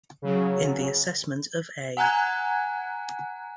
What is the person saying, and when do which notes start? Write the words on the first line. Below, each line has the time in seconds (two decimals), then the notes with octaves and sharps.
In the assessment of A.
0.22 C#3 F#3
1.97 F#5 G#5 A#5 F#6 G#6